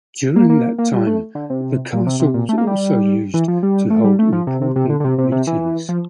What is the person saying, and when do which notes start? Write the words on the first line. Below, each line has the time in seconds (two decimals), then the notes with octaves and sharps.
During that time the castle was also used to hold important meetings.
0.36 A#3
0.50 A#3
0.78 A#3
0.93 G3
1.07 A3
1.35 D3
1.50 C3
1.93 A#2
2.06 C3
2.20 C3
2.34 A#2
2.49 A3
2.58 A#3
2.67 G3
3.34 E3
3.48 F3
3.63 G3
3.90 A3
4.04 G3
4.19 A3
4.33 F3
4.47 C3
4.61 C3
4.76 C3
4.90 D3
5.00 D3
5.04 C3
5.18 C3
5.32 C3
5.47 E3
5.89 F3